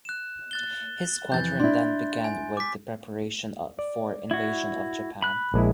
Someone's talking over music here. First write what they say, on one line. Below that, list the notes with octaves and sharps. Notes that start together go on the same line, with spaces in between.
His squadron then began with the preparation for Invasion of Japan.
F#6 E7
F#6 A6 G7
F2 E3 G6 A6
D4 E4 C6
G#5
D6 B6
D5
E4 F#4
B5 F#6
A#1 G#3 E4